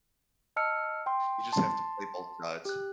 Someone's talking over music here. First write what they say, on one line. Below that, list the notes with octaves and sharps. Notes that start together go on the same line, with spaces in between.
you just have to play both sides.
D#5 A5 E6 F6 C#7
G5 C6
A5 C6
G4 F#6